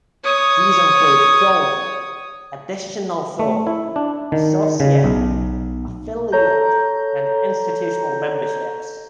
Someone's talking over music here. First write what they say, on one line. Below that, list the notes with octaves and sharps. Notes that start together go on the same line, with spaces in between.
These include full, additional full, associate, affiliate and institutional memberships.
C#5 D#6
A3
E4
D4
D#3
C#3
B1
A4 C#5 A#5 G6